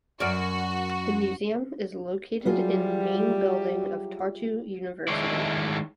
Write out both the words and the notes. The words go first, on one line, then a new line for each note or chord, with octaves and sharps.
The museum is located in Main building of Tartu University.
F#2 F#4 A#4 D5
F#3 G3 E4 F4 G4 G#4
D#3 G#3 A3 E4 C#5 D5